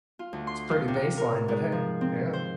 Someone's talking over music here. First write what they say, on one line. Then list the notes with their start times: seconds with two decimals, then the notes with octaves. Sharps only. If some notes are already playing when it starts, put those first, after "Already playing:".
it's pretty baseline, but hey, yeah.
0.19 F4
0.33 D2
0.47 C6
0.71 F4
0.88 C3
1.17 A#4
1.48 G#2
1.72 F3
2.01 C4
2.33 C5